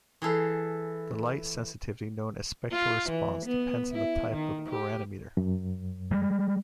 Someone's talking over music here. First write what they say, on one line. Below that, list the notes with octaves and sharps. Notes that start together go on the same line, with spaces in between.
The light sensitivity, known as 'spectral response', depends on the type of pyranometer.
E3 G#4 A4 F5
F4
E3
B3
E4
D#3
G4
F#2
G3 G#3